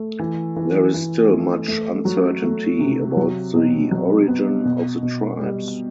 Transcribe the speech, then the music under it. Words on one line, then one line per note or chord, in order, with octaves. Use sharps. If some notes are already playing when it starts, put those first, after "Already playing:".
There is still much uncertainty about the origin of the tribes.
Already playing: A3
E3
E3
E3
A3
A3
F#3
A3
C3
F#3
B2
F#3
B3
B2
B2
G3